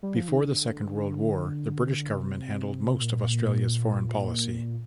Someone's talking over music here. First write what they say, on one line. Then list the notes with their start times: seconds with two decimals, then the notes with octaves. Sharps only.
Before the Second World War, the British Government handled most of Australia's foreign policy.
0.03 G3
0.16 F3
0.29 D#3
0.42 D3
2.15 C3
3.01 A#2